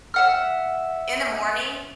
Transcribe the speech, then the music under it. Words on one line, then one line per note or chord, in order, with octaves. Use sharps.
in the morning,
E5 F#5 F6